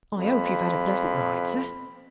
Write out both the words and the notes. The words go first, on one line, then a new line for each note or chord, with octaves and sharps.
'I hope you've had a pleasant ride, sir.
F2 B5